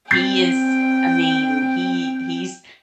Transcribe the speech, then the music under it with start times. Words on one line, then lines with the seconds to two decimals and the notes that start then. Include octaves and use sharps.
he is, I mean, he he's,
0.11 C4 G5 G6 A6 C7